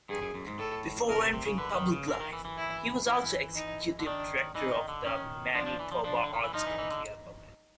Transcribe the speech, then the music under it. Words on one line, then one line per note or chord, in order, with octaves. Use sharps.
Before entering public life, he was also executive director of the Manitoba Arts Council.
G2 G#4
F#2
F#2
G#2
A2 A4
A#2 A#4
C#3
C3
C3
C#3
D3 B4
D#3
C#3
D3 A#4
D#3
E3
E3
E4
E3 E4
D#4
D3
D#3 D4
E3 D#4
D#3
D3
D#3 C#4
F3 D4
F3
E3
F3
F3 D4
D3
D#3
E3
F3 D#4
E3
E3
D3